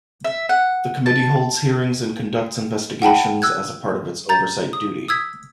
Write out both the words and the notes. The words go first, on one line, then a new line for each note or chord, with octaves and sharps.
The committee holds hearings and conducts investigations as part of its oversight duty.
E5
F#5
A5
F#5 G5 A5 B5
E6 F#6 G#6
A#5 G6 A6
D#6
D#6 E6 G#6 B6